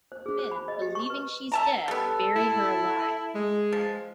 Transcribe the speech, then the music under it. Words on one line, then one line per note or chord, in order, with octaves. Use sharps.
The two men, believing she's dead, bury her alive.
C5
G#4
C5
B5
D#5
G4
C#6
B4
E5 A5 A#5
G3 B3 A4
E4
G#3
F3